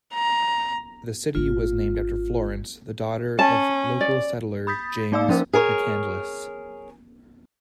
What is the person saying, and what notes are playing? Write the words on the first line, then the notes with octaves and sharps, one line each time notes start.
The city was named after Florence, the daughter of local settler James McCandless.
A#5
G#1 A#3 F4
C#4 A5
D5
B5 D#6 G6 A6 B6
A#3 D#4 D5 F5 D6 E6
F3 C#4 A#4 C5
G#4 A#4 C#5